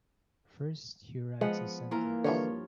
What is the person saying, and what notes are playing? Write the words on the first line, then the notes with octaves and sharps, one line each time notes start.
First he writes a sentence.
F3 G#3 B3 F#5
E3 A#3 F4 A#4
G2 D3 E3 F3 C#5